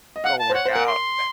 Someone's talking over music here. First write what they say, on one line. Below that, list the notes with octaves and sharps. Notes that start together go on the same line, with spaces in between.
go work out, that
D#5
F5 F#5
A5
C5
C#5 F#5
C5
A#4 F#5
C6